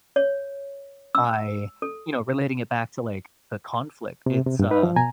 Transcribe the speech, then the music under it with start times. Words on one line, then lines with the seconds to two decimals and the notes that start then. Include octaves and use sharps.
by, you know, relating it back to, like, the conflict, it's, uh,
0.16 C#5
1.15 E6
1.82 A4
4.26 C3
4.46 C3
4.59 G2
4.71 D#4 B4
4.83 F3
4.96 B2 G#5 A#5